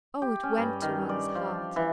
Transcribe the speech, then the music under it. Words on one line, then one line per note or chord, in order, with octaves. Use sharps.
O! it went to one's heart!
G4
C#4
G2
D#3
D5
F3
E3